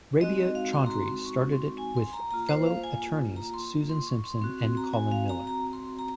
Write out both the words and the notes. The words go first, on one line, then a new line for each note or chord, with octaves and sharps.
Rabia Chaudry started it with fellow attorneys Susan Simpson and Colin Miller.
G#3 C4 D#4 F#4 D#5
D#5
F5
C6
A#5
C6
C6
C#6
C6
G#5
C6
A#5
A#3 F4 A#5
C5
F5
G#5
A#5
C6
C6
C#6
C6
C4 F#4 C6
C6
A#5
G#5
F5
A#5
A#5
C6
A#5